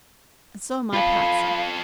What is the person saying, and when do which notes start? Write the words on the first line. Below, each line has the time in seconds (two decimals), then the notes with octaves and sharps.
"And so am I, Patsy."
0.94 F4 A4 F5 B5